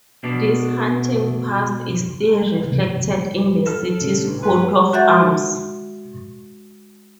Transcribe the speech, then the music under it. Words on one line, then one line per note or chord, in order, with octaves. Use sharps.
This hunting past is still reflected in the city's coat of arms.
B2 D4
A4 B4 F6 E7
A#2 C#3 A3 C#4
A1 D4
G2 A#3 C#4 B4 A5 C6
G#3 F#4 E5 F#5 G6 A6